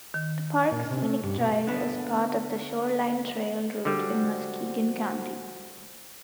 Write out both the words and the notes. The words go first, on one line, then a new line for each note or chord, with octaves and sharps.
The park's Scenic Drive is part of the Shoreline Trail route in Muskegon County.
D#3
A#2
C3
A3
G2
B2
D3 B3
D3 F3 G3 F#4 C5